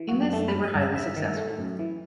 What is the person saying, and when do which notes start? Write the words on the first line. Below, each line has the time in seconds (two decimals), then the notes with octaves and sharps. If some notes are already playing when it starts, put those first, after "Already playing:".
In this they were highly successful.
Already playing: E3
0.08 F#2 F#4
0.21 G4
0.33 A3 A4
0.48 B4
0.54 G2
0.64 D#5
0.75 G2
0.81 E5
0.96 G2 E5
1.16 D#3
1.37 A3
1.59 F#2
1.79 E3